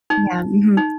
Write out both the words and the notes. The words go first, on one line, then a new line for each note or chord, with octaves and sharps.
Yeah, mhm.
D#4
D#4